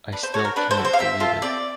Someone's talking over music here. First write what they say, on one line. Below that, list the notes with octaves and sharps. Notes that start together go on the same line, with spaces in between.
I still can't believe it.
D4 B4
C5
A4 C#5
F#4
A#4
D4 B4
C5
F#4 A4
C5
F5
C4 E5
F4 A4
C4 D5